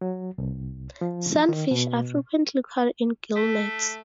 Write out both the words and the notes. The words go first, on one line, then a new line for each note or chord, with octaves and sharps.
Sunfish are frequently caught in gillnets.
F#3
C2
F3
D#3
B2
A3